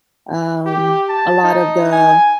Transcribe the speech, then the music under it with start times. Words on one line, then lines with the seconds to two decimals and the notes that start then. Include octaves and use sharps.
Um, a lot of the
0.66 G4
1.09 A5
1.43 D#4
1.92 G#5